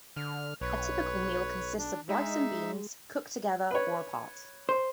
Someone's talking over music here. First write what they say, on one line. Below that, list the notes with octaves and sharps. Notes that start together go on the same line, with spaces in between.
A typical meal consists of rice and beans, cooked together or apart.
D3 F6
B1 B4 C#5
D4
G#3 D#4 E5
B4 C#5
C5